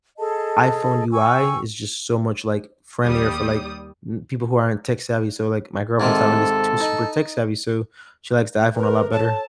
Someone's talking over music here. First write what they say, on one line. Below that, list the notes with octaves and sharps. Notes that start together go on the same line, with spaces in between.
iPhone UI is just so much, like, friendlier for, like, n people who aren't tech-savvy, so, like, my girlfriend's not really too super tech-savvy, so she likes the iPhone a lot better.
G#4 A4 D#5 A5
G5 G#5 C#6 E6
D#2 G3 D#6
G#2 C3 D#3 A4
D#4
A3 A#4 B4
A4 C#5 A5